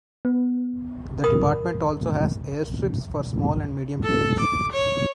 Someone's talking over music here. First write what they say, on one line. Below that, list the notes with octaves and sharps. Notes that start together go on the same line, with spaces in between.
The department also has airstrips for small and medium planes.
B3
A#4 B5 D#6
A4
D6
C#5